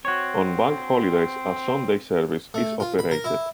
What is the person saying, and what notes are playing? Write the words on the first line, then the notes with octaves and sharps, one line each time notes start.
On bank holidays, a Sunday service is operated.
C4 F#4 C#5
A3
F4
B5
A#4
E4